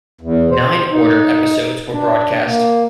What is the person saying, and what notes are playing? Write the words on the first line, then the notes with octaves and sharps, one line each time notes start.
Nine ordered episodes were broadcast.
E2
C5
D#4
D4
A#3